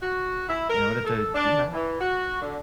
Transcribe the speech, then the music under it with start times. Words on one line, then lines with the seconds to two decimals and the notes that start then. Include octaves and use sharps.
in order to do math.
0.01 F#4
0.48 E4
0.68 A#4
1.05 A4
1.34 D4
1.73 E3
1.99 F#4
2.42 D3